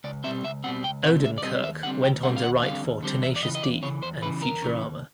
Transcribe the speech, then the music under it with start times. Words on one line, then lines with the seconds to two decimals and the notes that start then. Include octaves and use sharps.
Odenkirk went on to write for "Tenacious D" and "Futurama".
0.04 C#2 D5
0.24 B2 G3 C4 E5
0.44 C#2 E5
0.64 B2 G3 C4 F#5
0.83 C#2 G5
1.04 B2 G3 C4 F#5
1.23 C#2 E5
1.38 D5
1.43 B2 G3 C4 D#5
1.63 D#2 E5
1.83 D3 G3 C4 F#5
2.03 D#2 G5
2.23 D3 G3 C4 F#5
2.36 F5
2.43 D#2 F#5
2.63 D3 G3 C4 F5
2.83 D#2
3.03 D3 G3 C4
3.22 E2 E5
3.36 D5
3.43 C#3 E3 D#5
3.55 D#5
3.62 E2 D5
3.82 C#3 E3 C#5
4.02 E2 C5
4.22 C#3 E3 B4
4.42 E2 A#4
4.62 C#3 E3
4.82 D#2